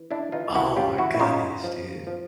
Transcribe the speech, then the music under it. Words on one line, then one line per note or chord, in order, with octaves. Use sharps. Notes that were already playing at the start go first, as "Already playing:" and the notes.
Oh my goodness, dude.
Already playing: E3
D4 E4
E3 D#4 F4
E4 F#4
C#3 F4 G4
E4 F#4
E4
C#3 D#4 F4
F3
F3